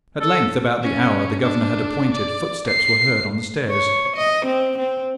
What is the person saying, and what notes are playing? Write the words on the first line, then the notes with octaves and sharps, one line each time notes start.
At length, about the hour the governor had appointed, footsteps were heard on the stairs.
A4
C#4
D4
D5
C7
C#5
D#5
C4
C4